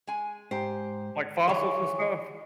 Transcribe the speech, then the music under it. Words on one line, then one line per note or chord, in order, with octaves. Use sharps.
Like fossils and stuff?
G#3 G#5
G#2 G4 C5
D#3 E3 G#4 C#5